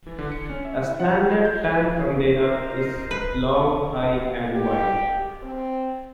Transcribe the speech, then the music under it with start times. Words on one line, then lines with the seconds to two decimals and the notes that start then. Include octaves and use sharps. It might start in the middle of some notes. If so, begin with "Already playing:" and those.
A standard tank container is long, high and wide.
0.07 E3
0.19 D3
0.32 C#7
0.50 C#4
0.65 E5
0.84 E4
1.00 F#5
1.15 F#5
1.28 F4
1.45 G6
2.34 D#4 A#4 C5
3.11 B4
4.52 G4
5.43 C4